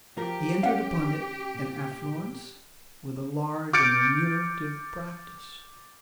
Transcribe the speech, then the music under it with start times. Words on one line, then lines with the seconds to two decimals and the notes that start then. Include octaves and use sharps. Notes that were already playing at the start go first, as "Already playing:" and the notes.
He entered upon it in affluence, with a large and remunerative practice.
0.17 F3 G4 A#4
0.63 C#4 F5 F#5
1.55 A#2
3.73 D6 F6 G6 A6 C#7 D7